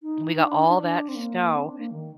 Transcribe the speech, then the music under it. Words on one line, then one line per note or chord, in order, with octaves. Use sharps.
We got all that snow
D#4
D4
D4
D#4
D4
C4
A#3
C4
D4
A#3
D#3